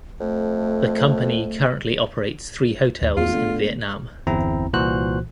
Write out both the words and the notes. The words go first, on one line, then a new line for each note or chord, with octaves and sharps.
The company currently operates three hotels in Vietnam.
F2 A3
D#2
G#1 E2 A3 A#3 F4
D3 A3 B3
G1 E2 C4 E4 A#5
C2 A#2 E3 F#4 C5 F#6